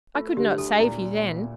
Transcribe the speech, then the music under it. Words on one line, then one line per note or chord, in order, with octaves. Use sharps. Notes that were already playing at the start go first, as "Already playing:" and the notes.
I could not save you then.
A3 F4
D3 G4
D2 A4
A#2 E4
A#2
A#2